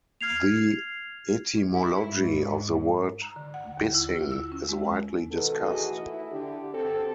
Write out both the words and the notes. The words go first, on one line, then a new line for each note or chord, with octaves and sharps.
The etymology of the word "Bissing" is widely discussed.
F6 G#6 C7 F7
E4
G#2
A#5
D3
F#5
D#2
E4
F4
E6
C#4
G#3
B2 D#3 B3 A4
E3 A3 F#4 G#4 A4 D#5
E4
D3 G4
D2 D3 C4 G4 A4